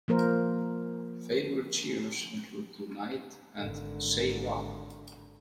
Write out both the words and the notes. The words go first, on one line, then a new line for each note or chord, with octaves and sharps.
Favourite cheers include "Unite" and "Say Ra".
F3 A#3 A#4 C5
G#1 D3